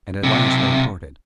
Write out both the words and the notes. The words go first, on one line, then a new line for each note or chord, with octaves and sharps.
And at last they parted.
B1 C3